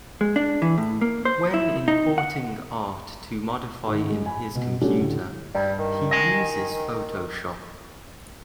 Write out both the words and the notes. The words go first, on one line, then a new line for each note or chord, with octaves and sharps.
When importing art to modify in his computer, he uses Photoshop.
G#3
D4
E3
A2
A#3
C5
E4
D#4
F#5
G#2 D#3
G#3
G#5 B5
B2
F#3 G3 A3 C#4 D4 G4
D2 A2
G2 G3
D#3
D#5 G#5